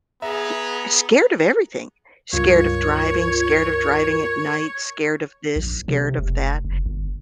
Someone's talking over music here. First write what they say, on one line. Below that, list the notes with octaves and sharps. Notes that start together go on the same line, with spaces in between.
hi scared of everything. Scared of driving, scared of driving at night, scared of this, scared of that,
B3 G#4 E5 A#5
C#2 G2 F4 A#4 C#5
A#1
C3
F1
F#1
G1